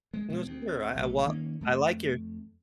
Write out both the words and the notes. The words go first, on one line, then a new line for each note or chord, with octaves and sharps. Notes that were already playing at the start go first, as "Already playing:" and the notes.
No, sure. I I well, I like your
G#3
B2 G#3
D2 C4
A#1 F#3 A3
D#3 A#3 C#4
F2 A3